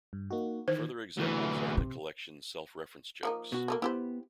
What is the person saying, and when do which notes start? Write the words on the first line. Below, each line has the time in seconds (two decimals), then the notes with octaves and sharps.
Further examples are in the collection Self-reference jokes.
0.13 G2
0.31 A#3 D#4 F#4
0.68 D#3 E3 C5
1.18 D2 E3
1.77 C3
3.23 F3 A#3 D#4
3.52 B2 F#4
3.68 F3 A3 A#3
3.82 B3 E4 G4 C5